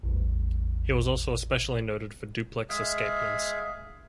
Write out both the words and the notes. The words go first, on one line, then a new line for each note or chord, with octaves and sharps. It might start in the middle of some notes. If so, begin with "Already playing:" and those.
He was also especially noted for duplex escapements.
A1 E2
G#3 G#4 E5 F5